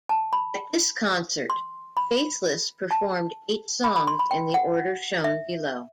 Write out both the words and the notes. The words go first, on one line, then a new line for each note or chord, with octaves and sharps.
At this concert, Faithless performed eight songs in the order shown below.
A5
B5
C6
B5
A5
B5
B5
C6
B5
G5
F#5
E5